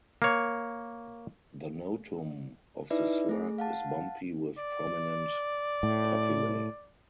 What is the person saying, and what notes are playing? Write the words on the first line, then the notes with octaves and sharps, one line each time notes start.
The notum of the slug is bumpy with prominent papillae.
A#3 C#5
D#4 E4 B4 D5 E5
A3 G#4
F5 F#5 A5
D5
A2